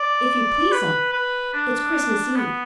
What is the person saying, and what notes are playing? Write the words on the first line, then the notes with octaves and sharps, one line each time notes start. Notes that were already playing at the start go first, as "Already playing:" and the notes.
"If you please'm, it's Christmas Eve."
Already playing: D5
B4
B4
D4
B3